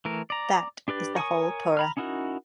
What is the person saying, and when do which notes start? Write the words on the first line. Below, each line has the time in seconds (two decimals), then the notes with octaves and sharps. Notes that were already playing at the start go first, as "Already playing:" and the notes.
That is the whole Torah.
0.05 E3 A3 A#4
0.30 D5 A#5
0.88 D4 G4 B4 D5
1.15 A#4 C#5 G#5 C#6 D#6
1.77 A#5 B5 F6
1.97 C#4 D#4 E4 F#4 A#4